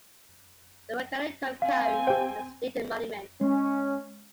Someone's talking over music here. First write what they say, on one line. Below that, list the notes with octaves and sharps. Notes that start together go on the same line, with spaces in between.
The volcanic tuff cone is a State Monument.
C4 F5 G#5
G4 C5 G5
G#3 C#4